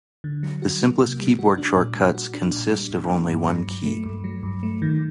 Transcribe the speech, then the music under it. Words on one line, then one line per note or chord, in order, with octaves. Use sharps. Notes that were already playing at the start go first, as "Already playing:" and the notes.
The simplest keyboard shortcuts consist of only one key.
D3
F#3
F#4
A#3
C3
G3
F#4
D4
A#2
G3
F#4
D4
A#2
G3
A#2
A#3
G2
F#3
G2
A3
G2
F#3
G2
A3
D#3